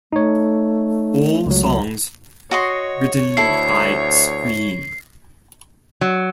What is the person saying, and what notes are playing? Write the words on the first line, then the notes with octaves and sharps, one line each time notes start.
All songs written by Scream.
A3 D#4 C#5
C#2 F#3
F#4 C#5 D#5 C6
D2 E4 A4 C7
F#3